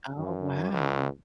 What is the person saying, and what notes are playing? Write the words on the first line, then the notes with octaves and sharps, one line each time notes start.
Oh, wow.
F#2
C#2